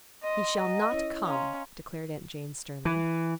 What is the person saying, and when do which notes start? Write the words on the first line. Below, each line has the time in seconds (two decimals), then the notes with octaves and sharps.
"He shall not come," declared Aunt Jane, sternly.
0.23 D#5 C6
0.57 D#5 F#5 G#5 A#5
0.91 C#4 E4 C#5
1.26 C#4 F5 A#5 C6
2.85 E3